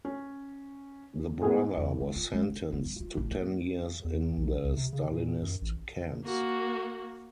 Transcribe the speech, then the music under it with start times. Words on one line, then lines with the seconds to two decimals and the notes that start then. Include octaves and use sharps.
The brother was sentenced to ten years in the Stalinist camps.
0.05 C#4
1.42 A2 B3 G#4
1.77 E2
2.00 G#3
2.16 F4
2.33 G#3
2.49 D3
2.72 B3
2.85 G2
3.00 F4
3.17 A1
3.31 A#3
4.05 E2
4.37 B1
4.64 C#2
4.77 C3
4.93 C#3
5.11 A#2
5.42 F#2
5.62 A1
6.25 A#3 F#4